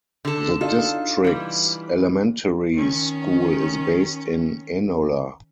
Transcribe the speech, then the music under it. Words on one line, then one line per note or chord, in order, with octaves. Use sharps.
The district's elementary school is based in Enola.
D3 A4
D4 D#4 F4 A4
E3 G3
D#3 C#4